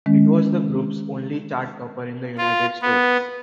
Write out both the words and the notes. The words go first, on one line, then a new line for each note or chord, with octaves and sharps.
It was the group's only chart-topper in the United States.
D#3 G#3 C#4
F4
B3